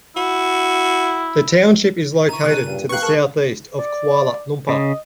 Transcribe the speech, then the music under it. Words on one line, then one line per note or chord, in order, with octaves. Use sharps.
The township is located to the south-east of Kuala Lumpur.
E4 F#4
D3 E4 A#5 C#6 D#7
F#2 A#2 C#3 G#3 D4 A#4 D#6 F#6
G2 A#2
E2 D#4 G4 B4 F5 C#6 F#6
G#4 A#4 A5
D5
C#3 D#5